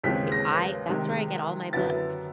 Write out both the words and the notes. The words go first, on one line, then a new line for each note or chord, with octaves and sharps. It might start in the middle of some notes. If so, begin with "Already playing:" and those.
Okay. I That's where I get all my books.
D#2 C#3 E3 G#3 C4 B6
A#6
C3 D#3 G#3
F#2 D3 F#3 B3 E4 A6